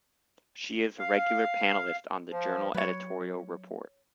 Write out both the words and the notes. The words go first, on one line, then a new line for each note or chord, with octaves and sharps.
She is a regular panelist on the "Journal Editorial Report".
F5
F3
F#3 B4 C#5